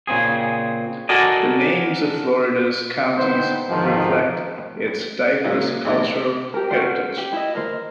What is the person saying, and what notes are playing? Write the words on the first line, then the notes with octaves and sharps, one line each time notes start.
The names of Florida's counties reflect its diverse cultural heritage.
A#2 C#3 C4 G#4
F#4 A4 A#4 D5 D#5 G#5
D3 B3 C4 D#4 C5
D2 G#2 D#3 F3
A#2 F#3 G#3 A#3 E4 F4
A#1 D#3 A3 B3 D6
G4 A#4
C#4 F4 F#4 C5
G4
E4 D#5
A#4 C5